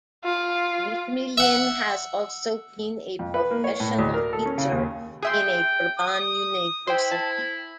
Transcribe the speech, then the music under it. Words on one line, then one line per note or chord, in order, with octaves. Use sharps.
McMillan has also been a professional teacher in a Durban university.
F4
E5 F#5
F2
B4
A#3
C#5
A2
D2
A#4
A4
C#4
C#3
D#2
G#4 E5 G5 C6
D#6
E4 C5 G5
A5